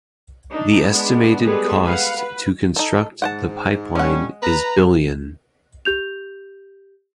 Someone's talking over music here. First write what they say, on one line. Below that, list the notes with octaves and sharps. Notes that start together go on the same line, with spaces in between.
The estimated cost to construct the pipeline is billion.
D4 D#4
G#3 B3 D4
G3 G#3 B3 G#4 A4 B4
B4 F5 F#5
B4
D#4 A4
G#2 F#5 G5 A5
A2 G3 G#3 C#4 F#5
B4 A#5
G4 G6 F7